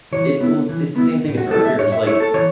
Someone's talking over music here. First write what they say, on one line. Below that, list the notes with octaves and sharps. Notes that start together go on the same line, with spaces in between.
It well, it's it's the same thing as earlier, is like,
E3 C#5
B3 E4
E3
B3 E4
A2
F#4
A3 E4 A4
E5
A2 C#5
E5
A3 E4 C#5
A4
E3 C#5